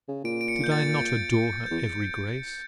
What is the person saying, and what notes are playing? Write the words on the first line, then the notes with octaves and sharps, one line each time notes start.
Did I not adore her every grace?
C#3
A#2 D7
D7
C#7
G6
A6
E2 G6